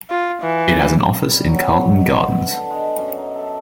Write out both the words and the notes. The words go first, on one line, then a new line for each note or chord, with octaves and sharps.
It has an office in Carlton Gardens.
F4
E3
G3
F#3
G#2
B3
D3
G#3
F#2
D#4
A4